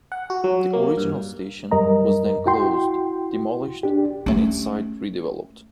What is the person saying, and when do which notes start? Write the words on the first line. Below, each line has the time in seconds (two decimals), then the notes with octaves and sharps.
The original station was then closed, demolished and its site redeveloped.
0.12 F#5
0.30 F#4
0.44 F#3
0.73 A#3
0.97 G2
1.71 F#2 G3 A#4 D#5 A#5
2.46 E4 F#4 G5 C6
3.83 D4 G4
4.26 A3 C#4